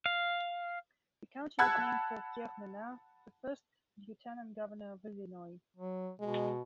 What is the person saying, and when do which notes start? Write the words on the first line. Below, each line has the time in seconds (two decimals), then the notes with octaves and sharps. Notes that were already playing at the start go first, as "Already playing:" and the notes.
The County was named for Pierre Menard, the first lieutenant governor of Illinois.
0.06 F5
1.59 F#5 A5 B5 E6 F#6 G#6
5.77 F#3
6.20 B2 G#3